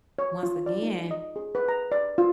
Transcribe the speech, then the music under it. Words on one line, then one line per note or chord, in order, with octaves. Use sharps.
once again
C#5
F4
D5
D#4
D#5
G#4
B4
A#5
D5
F4